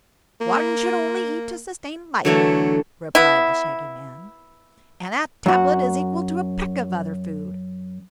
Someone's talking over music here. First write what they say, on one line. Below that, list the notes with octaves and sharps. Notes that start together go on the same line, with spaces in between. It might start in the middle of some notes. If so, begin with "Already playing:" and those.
"One should only eat to sustain life," replied the Shaggy Man, "and that tablet is equal to a peck of other food."
A#3
D3 E3 F#3 A3
B3 E4
F#2 F#4